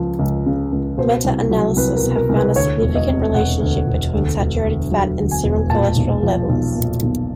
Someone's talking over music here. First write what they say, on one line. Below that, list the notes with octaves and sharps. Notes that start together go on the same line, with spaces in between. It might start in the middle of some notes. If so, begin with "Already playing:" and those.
Meta-analyses have found a significant relationship between saturated fat and serum cholesterol levels.
Already playing: C#2 F3
C#2
C#3
C#2
B2 C5
C2
F#3
C2 B4
A#4
B2
A#4
C2
B4
D2 C#5
E1
D#5
C3
E1 F#5
D2
E1
D2
E1
D3
F#3
D2
G#5
E1
A#2 A5
B1
F3
B1
A#2
B1